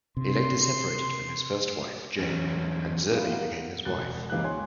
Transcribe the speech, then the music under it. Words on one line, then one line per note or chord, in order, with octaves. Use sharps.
He later separated from his first wife, Jane, and Zerby became his wife.
C3 C6
E2 G2 F#3 C#4
G3 B3 E4 F4
A#4 F5 F#5
E1 B2 F#6 A6
C#2 E3 A#3 D#4 G4 F#6
C#5 G#5 C6